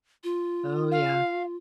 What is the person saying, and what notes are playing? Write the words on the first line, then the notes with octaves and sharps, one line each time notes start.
Oh, yeah.
F4
F5